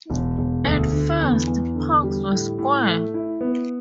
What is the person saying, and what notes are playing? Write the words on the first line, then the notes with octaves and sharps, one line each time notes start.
At first, pucks were square.
E1
E1
D2
D3
E2
E2
D3
G3
A2
A2
A3
E4
B3